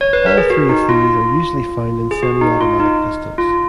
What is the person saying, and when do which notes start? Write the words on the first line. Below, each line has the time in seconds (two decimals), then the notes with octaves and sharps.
All three of these are usually found in semi-automatic pistols.
0.01 C#5
0.13 B4
0.26 A#4
0.38 G#4
0.50 F#4
0.69 D#4
0.89 F4
2.11 G#4
2.23 F#4
2.41 D#4
2.61 F4
2.80 D#4
3.38 F4